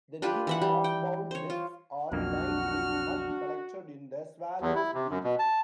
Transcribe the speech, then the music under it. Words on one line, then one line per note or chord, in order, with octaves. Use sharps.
The neat half-bowl nests are lined with mud collected in the swallows' beaks.
D4 F4 G4 B4
E3 E5 F#5
G3
G5
C5 C#5
F4
B1 F2 A#3 D4 F#4 F6
E2
E4
C3
F#2
B2
A5